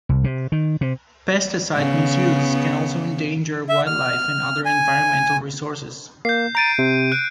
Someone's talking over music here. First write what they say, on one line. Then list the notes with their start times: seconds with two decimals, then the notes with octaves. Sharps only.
Pesticide misuse can also endanger wildlife and other environmental resources.
0.09 C2
0.24 C3
0.52 D#3
0.81 C3
1.76 C#3 B3
3.69 E5
3.87 F6
4.65 G#5
6.25 A#3 G6 C7
6.55 A#5 G6 A6 D7 D#7
6.79 C3
7.12 F#6 D7